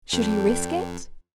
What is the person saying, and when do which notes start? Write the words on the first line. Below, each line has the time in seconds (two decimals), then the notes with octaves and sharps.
Should he risk it?
0.13 F2 A4 D5 G5